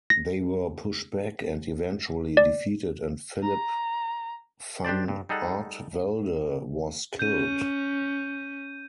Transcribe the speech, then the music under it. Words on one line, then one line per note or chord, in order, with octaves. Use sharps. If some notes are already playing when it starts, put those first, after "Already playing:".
They were pushed back and eventually defeated and Philip van Artevelde was killed.
A#6
D5
A#5
D4 G4 C5 D5
G2
G3 D#4 G#4 A4 F#5
C#4 G6 D#7